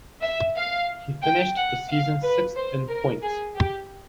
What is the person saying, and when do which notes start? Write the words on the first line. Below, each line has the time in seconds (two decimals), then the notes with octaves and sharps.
He finished the season sixth in points.
0.22 E5
0.56 F5
1.22 G5
1.56 F#5
1.89 F5
2.22 B4
2.56 C5
2.89 A#4
3.23 G#4
3.56 G4